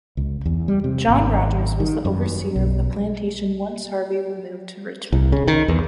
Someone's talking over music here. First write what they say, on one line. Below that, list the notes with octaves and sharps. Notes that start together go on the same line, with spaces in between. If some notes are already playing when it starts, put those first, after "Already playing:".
John Rogers was the overseer of the plantation once Harvie removed to Richmond.
C#2
E2
G3
C3
G#1
D#3
F#2
B1
C2
C#3
D#3
E2